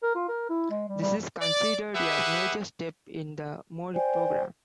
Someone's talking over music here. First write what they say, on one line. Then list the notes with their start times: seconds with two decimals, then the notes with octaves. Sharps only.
This is considered a major step in the Mori program.
0.03 A#4
0.15 F4
0.29 A#4
0.49 E4
0.70 G#3
0.89 G3
1.02 G3
1.42 D5
1.95 G4 G#4 B4 E5 F#5
3.94 C5 D5 G5 G#5